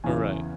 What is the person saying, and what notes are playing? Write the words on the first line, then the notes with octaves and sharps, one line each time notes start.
Eh right.
E2 C#3 E3 G#5